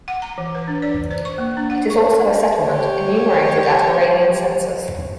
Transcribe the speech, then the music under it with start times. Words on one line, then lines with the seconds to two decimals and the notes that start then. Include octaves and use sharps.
It is also a settlement, enumerated at Iranian census.
0.08 F#5
0.22 A#5
0.38 E3
0.55 B4
0.68 D4
0.82 D5
1.11 C5
1.25 C#6
1.38 A#3
1.57 D4
1.70 F#5
1.90 C#6
2.59 G4 C#5